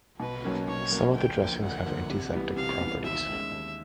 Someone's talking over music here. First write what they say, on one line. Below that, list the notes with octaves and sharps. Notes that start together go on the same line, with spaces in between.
Some of the dressings have antiseptic properties.
B2 B4
F#3 A#3 C#4
B2 C#5
F#3 A#3 C#4
D2 G5
D3 F3 A#3
D2 F#5
D3 F3 A#3
C3
E3 G3 B3
C3 F5
E3 G3 B3
D#2 E5
D#3 G#3 C#4
D#2